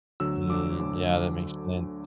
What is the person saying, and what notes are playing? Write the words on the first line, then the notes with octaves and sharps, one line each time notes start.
Mm, yeah, that makes sense.
D2 D3 F#3 E6
D2 D3 F#3 D6
D2 D3 F#3